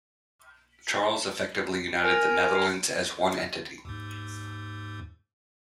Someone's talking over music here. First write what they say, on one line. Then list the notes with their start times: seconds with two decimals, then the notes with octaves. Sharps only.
Charles effectively united the Netherlands as one entity.
2.03 A#4 G#5
3.85 D#2 G#2